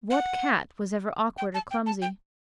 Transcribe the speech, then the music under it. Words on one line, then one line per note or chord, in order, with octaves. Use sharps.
What Cat was ever awkward or clumsy?
F#5
G5
A5
G5
A5
G5